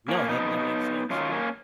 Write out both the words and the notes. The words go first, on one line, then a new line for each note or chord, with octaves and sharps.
No, that that makes sense, um,
A#3 C#4
F2 C#3 F#3 B3 D#4
F#2 D#3 F#3 C#4 F4
A#3 C#4